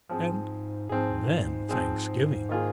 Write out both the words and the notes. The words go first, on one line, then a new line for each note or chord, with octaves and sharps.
And then Thanksgiving!
G#2 F3 C4 G#4
G#2 F3 C4 G#4
F3 C4 G#4
D#3 A#3 F4 G#4